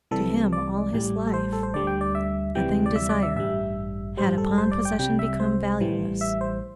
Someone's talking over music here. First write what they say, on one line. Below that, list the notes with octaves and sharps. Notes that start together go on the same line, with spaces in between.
To him, all his life, a thing desired had upon possession become valueless.
C2 C3 E3 G3 A4
D5
A1 A2 G3
A4
C5
A4
C5
D2 D3 G3 D5
G5
D5
E5
D2 C3 E3 G3 G5
D5
E5
D5
E5
A1 G2 G3 E5
A1 G2 G3 C5
A4
C5
D5
G5
C2 C3 G3 G5
E5
C5
A1 A2 E3 G3
E5
C5